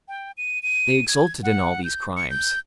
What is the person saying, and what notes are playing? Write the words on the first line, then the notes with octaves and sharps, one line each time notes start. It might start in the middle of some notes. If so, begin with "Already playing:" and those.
They exulted in all these crimes.
G5
D#7
D#7
G#6
F#5
G6
C#7
G6